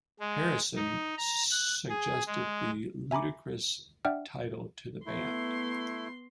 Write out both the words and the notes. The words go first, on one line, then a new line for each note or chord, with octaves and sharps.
Harrison suggested the "ludicrous" title to the band.
G#3
D#4
A#5
F#6
G#4
G#3
E5 G#5 A#5 B5 D6
D4 D5 E5 F#5 G5 F6
A3 B3 E4 C6